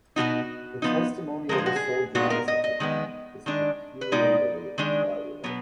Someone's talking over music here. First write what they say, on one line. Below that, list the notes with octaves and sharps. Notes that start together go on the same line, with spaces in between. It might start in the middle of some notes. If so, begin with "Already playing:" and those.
The testimony of a soldier on such a point is peculiarly valuable.
B2 G#3 B3 D#4 F#4
F3 B3 D#4
D3 F3 G#3 A#4
G#4
F#4
G#4
A#2 G#3 B3 D#4 F#4
A#4
D#5
D#5
D#3 G#3 B3
D#3 G#3 D4
B4
B2 G#3 D#4 D5
D#3 G#3 D4
B2 F#3 B3